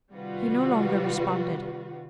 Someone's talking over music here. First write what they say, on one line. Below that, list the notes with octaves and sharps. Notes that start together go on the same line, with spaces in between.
He no longer responded.
C3 D#3 G3 F4 F#4 B4